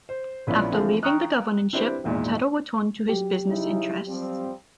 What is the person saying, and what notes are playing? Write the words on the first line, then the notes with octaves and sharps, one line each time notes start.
After leaving the governorship Tuttle returned to his business interests.
C5
A#1 B3 C#4 E4 F4 D5
D3 E3 F3 A3 C4
G5 A#5 C#6 D#6 F6 F#6
C4 D4 E4 G4 B4 C5
G#1 E2 A#2 G#3 D#4
F#3 G4
C#3 D#4 E4
F3 G3 C4